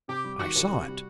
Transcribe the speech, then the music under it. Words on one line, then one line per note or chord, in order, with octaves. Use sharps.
"I saw it."
C3 G4
G3
D#3 F#4
C2
C3
G3